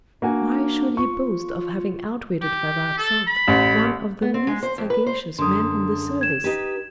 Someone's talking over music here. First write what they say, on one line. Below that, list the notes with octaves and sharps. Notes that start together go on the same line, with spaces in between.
Why should he boast of having outwitted Father Absinthe, one of the least sagacious men in the service?
A#3 D4 F#4 G#5
F4 C#6
G4
A4
B5
A1
B3
C4
G#3
C5
F2
B4
C5
F#2 D3 C6 D#6
G#6 E7
D#4 G4 B4